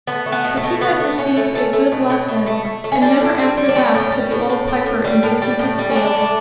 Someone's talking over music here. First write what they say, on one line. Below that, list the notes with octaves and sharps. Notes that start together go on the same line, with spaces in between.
But he had received a good lesson and never after that could the old piper induce him to steal.
A3 B3
A3
B3
B2
A3
B2
A3 B3
A3
B2 C#4
A3
A3
A3
B2
B2
B2
A3
A3
A3
C#4
G3 D4
A2
G3
G3
D4
G3 C#4
A2
G3
A2
A2
A2
A2
G3
A2
G3
A2
G3
C#4
A3 D4
A2